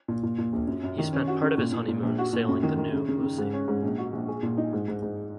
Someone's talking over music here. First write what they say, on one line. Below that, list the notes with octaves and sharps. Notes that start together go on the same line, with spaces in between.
He spent part of his honeymoon sailing the new "Lucie".
A#2
A#2
A#2
A#1
F#2
F#2
D#3
C#4
F#4
C#3
A#2
A#2
A#2
A#1
F#4
A#2
F#2
D#3
D#3
C#3
C#3
C#3
G#2
C#4
G#2
A#1
F#4
A#1
G#4
A#2
D#4
G#2
G#2
G#2